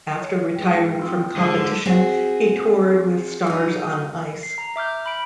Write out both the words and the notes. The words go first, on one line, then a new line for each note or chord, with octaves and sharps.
After retiring from competition, he toured with Stars on Ice.
C#5
G#2 G5
C4 F4
G#2 D3 F4 C5 F5
C4 F#4 G#4
F#3 D#4
C7
A#5
E5 D6 F6 G6
B5 D7